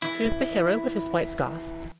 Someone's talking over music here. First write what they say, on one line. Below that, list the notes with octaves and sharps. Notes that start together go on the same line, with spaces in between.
Pooh’s the hero with his white scarf.
E3 E4